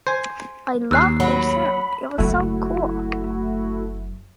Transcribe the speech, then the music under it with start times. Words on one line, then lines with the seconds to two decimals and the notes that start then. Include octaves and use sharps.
I loved their sound, it was so cool.
0.07 C5 G#5
0.91 D#2 E6 F#6 C7
1.20 F#3 B5
2.18 F#1 F#3 A3 E4 F#4